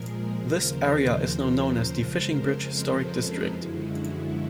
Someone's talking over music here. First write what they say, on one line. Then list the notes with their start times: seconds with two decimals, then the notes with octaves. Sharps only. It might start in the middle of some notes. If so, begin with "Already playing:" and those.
This area is now known as the Fishing Bridge Historic District.
Already playing: A#2 F3 G#3 G#4 A#4
0.35 D#2 C#3 F3 A#4 C5
1.89 F2 C#3 F3 G#3
2.66 A4 B4
3.04 G#4 A#4
3.43 F#2 D3 F3 G#3 E4 F#4